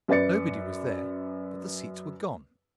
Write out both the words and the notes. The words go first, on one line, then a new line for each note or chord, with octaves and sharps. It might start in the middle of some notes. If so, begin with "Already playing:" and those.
Nobody was there, but the seats were gone!
F#2 B4 D5 A6 C#7